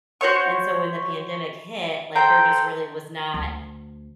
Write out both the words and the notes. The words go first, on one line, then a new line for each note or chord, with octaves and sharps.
And so when the pandemic hit, like, there just really was not
F#4 C5 C#5 C#6
A4 C5 G5 A#5
D2